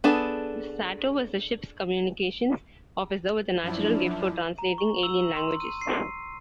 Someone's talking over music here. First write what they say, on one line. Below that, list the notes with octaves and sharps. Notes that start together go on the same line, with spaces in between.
Sato was the ship's communications officer, with a natural gift for translating alien languages.
B3 D4 G#4 A4
F#2 F3 D4 E4
A#5
C#6
E6
C6
D#7
C7